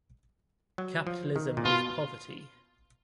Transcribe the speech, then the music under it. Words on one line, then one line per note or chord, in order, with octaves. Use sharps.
Capitalism is poverty.
F#3
F3
D#3
A#2
B2 F4